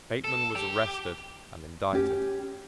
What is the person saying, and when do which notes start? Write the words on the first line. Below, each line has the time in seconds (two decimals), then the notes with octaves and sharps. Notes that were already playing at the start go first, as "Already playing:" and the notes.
Bateman was arrested and indicted.
0.24 A4
0.56 G4
1.93 C#4 G4